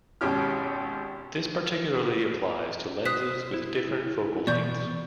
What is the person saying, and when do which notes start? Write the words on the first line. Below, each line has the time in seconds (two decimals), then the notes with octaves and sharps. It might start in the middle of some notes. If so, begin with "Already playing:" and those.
This particularly applies to lenses with different focal lengths.
0.21 G#1 B2 C#4 G4 F6
3.06 C5 D#6 F#6 B6
3.54 E4
4.47 B2 E3 B3 D5 C#6 G6